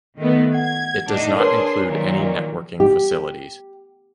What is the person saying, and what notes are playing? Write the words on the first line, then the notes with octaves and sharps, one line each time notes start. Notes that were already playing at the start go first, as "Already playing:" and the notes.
It does not include any networking facilities.
D#3 A3 B3
F#5 G#6
A2 D4 D#4
D4 G#4 A#4 B4 C#5 C6
A#2 D#3 F#3
G4